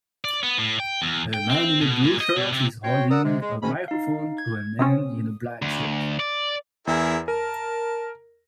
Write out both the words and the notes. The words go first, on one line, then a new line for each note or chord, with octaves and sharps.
A man in a blue shirt is holding a microphone to a man in a black suit.
D5
B3
A2
G5
E2
G5
C4
B2
A#2
D#5
B2
C3
C#4 F#4 C5 C#5 G5
A#4 D5 F#5 A#5 D#6 E6
C3 G#3
G#3
G#2 B2 D#3 C#4 B5
D#4 F5
G#6
C3 C4 C#4 D#6
D2
D5
E2 E4 G#4 A#4
A#4 A5